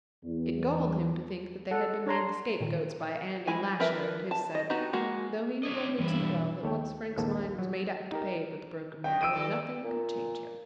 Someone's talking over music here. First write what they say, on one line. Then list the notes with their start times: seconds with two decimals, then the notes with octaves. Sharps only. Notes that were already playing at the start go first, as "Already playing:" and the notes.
It galled him to think they had been made the scapegoats by Andy Lasher and his set, though he knew only too well that once Frank's mind was made up to pay for the broken window nothing could change him.
0.23 E2
1.71 A4 F#5
2.06 D4 C#5 A#5 C6
2.60 A#2 D#3
3.47 G#3 E4 G#5
3.80 F3 A#4 B4 E5
4.31 A5
4.55 D#5
4.70 B3 D#4 F#4 G4
4.93 G#3 A#3 F#4
5.63 D4 C#5 D#5
5.98 G2 E3 E4
6.19 B2 D5 B5
6.64 D#2 A4 C#5 G5
7.17 A#1 D#2 G#3 A#3 A4
7.59 F#3
8.12 D#4 G4 A#4
9.04 B2 F#3 G5
9.21 E6 D7 D#7
9.33 D#3 G3 A4
9.84 A#2